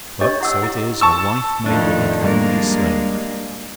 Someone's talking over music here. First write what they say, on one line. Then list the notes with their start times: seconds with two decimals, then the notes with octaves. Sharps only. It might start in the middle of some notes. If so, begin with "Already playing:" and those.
But so it is: a wife may work and may slave!
0.21 D4 G4 C#5 D#5 C#6
0.41 E4 F#5 E6
0.63 E4
1.01 A5 C#6 E6
1.66 F2 A2 D#3 D4
2.24 G3 G#3 A#3 D4 A#4